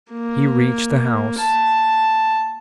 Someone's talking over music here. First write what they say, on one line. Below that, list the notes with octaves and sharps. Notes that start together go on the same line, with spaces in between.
He reached the house.
A#3
A5